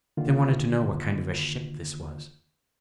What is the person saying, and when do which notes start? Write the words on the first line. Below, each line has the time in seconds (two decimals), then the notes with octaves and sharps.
They wanted to know what kind of a ship this was.
0.17 D3 D#3 A#3 F4